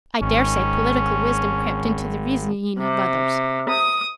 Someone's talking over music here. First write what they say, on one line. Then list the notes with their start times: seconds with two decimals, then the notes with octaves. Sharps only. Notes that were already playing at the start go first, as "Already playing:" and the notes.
I daresay political wisdom crept into the reasoning of others.
0.21 G#1 C#4
2.79 C3
3.69 D#6